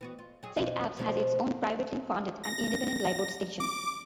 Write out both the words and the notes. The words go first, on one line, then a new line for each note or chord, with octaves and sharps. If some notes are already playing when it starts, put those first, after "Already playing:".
Saint Abbs has its own privately funded and independent Lifeboat Station.
E3 B3 F#4
F4
F#3 G#4
F2 B2
B2 F3 G#3
A#6
D6